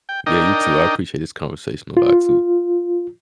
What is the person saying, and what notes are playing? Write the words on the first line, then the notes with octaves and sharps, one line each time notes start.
Yeah, you too. I appreciate this conversation a lot, too.
G5
D4 D#4 A#4 D#5 G5
F4